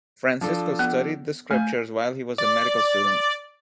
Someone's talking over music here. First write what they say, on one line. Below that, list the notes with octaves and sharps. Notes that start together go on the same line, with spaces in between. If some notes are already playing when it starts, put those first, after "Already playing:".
Francisco studied the scriptures while he was a medical student.
F3 D4 A4
B3
A3 G#5 G6
D5